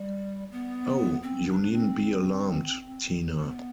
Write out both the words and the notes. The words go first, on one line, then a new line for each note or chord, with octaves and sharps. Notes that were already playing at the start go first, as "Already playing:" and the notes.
Oh, you needn’t be alarmed, Tina.
Already playing: G3
B3
C4
D4
C4
B3